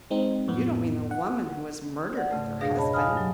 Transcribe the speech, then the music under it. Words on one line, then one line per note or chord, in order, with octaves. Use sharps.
"You don't mean the woman who was murdered with her husband?"
G#3 C4 D#4
F2 A2 B3
F#5
D5 F#5
G#2 C#3 A3
F2 B2 D4 G#4 F5 A#6
C#5 D#5 A5 B5
F5 G#5 A5 B5 D#6 F6
G2 F#3